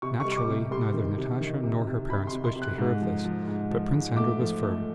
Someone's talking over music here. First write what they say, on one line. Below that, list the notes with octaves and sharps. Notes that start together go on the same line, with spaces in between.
Naturally neither Natasha nor her parents wished to hear of this, but Prince Andrew was firm.
C3 C#6
C#6
G3
C#6
D6
C3
G3 C6
D#3
C3
D#3
C3
C3
C3 B5
C6
C3
C6
C3
F#6
G#2
F3
F3
G#2
F3
G#2
A3 D6
F3
A3